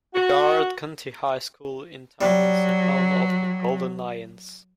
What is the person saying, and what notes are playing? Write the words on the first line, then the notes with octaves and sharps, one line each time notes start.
The Garrard County High School in town is the home of the "Golden Lions".
F#4
F#3 G3